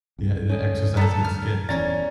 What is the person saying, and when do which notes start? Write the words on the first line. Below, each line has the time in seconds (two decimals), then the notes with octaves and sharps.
Yeah, the exercise gets skipped.
0.18 C2
0.50 D2 G#2 C#4 A4 C#5
0.97 B3 A4 A#5 A6
1.24 F6
1.69 D#1 E2 E3 C#4 D5 A#5 A6